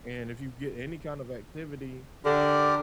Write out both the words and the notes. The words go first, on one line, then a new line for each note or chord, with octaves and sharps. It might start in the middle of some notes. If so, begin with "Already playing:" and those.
and if you get any kind of activity
D3 G4 A#4 D5